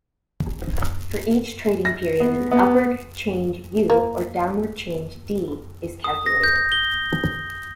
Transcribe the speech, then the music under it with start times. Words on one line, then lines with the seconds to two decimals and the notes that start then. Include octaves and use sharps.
For each trading period an upward change "U" or downward change "D" is calculated.
1.85 A#6
2.20 B3
2.51 B3
3.90 A#3
6.04 D#6
6.26 A#6
6.43 G6
6.72 G7